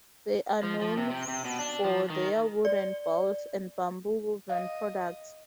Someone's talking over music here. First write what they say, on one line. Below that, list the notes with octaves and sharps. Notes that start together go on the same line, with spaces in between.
They are known for their wooden bowls and bamboo woven products.
F3
F3
C3
C3
C3
B2
D4
F3
D#3
D5
D#5 F5